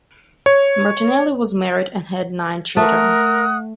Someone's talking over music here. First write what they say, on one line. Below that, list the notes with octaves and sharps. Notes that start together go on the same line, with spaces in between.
Martinelli was married and had nine children.
C#5
A3 A#4 F#5 D#6